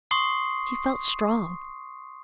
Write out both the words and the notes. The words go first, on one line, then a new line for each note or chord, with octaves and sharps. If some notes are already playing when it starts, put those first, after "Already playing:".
She felt strong.
C6 C#6 D#6 C7